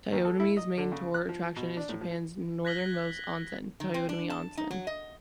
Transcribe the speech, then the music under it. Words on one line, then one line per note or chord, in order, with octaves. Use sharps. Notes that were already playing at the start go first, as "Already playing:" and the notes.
Toyotomi's main tourist attraction is Japan's northernmost onsen, Toyotomi Onsen.
D#2
A4
E4
D#5
D3
C#3
F#6
F3
B2
D4
A2
F3
F#6 G#6 A#6 B6 F#7 G7
D#3
C4
D4
A5
D#4
F#3
D#5